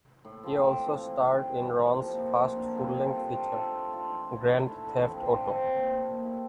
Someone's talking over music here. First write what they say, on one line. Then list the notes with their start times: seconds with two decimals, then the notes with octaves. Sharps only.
He also starred in Ron's first full length feature, "Grand Theft Auto".
0.25 A2
0.43 F3 C4
0.63 A2
0.82 F3 C4
1.01 E3
1.21 G3 C4
1.40 E3
1.60 G3 C4
1.79 A2
1.99 F3 A#3
2.17 A2
2.36 F3 A#3
2.56 D3
2.75 G3 C4 F4
2.94 D3
3.14 G3 C4 F4
3.32 A3
3.52 D4 F4 A4
3.72 A3
3.91 D4 F4 A4
4.09 E3
4.30 A3 E4
4.48 E3
4.68 A3 E4
4.87 D3
5.07 F3 C4
5.26 D3
5.45 F3 C4
5.64 A#2
5.83 A3 E4 G4
6.03 A#2
6.22 A3 E4 G4